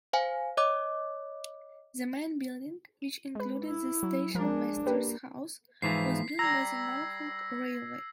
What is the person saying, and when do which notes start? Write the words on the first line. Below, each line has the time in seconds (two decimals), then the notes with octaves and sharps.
The main building, which included the Stationmaster's house was built by the Norfolk Railway.
0.13 C5 F5 G#5
0.57 C#5 D#5 D6
3.02 D#7
3.35 G#3 B4
3.65 E4
4.03 F#3
4.35 F3 G#3 D4 A#4
4.86 A#3 G4 B4 G5
5.82 G#2 E3 F3 B6 C7
6.39 G3 A#5 E6 G#6 A#6